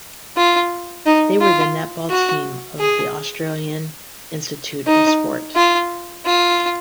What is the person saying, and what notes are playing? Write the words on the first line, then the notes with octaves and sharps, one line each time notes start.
They were the netball team of the Australian Institute of Sport.
F4
D#4
F4
F#4
G#4
D#4
F4
F4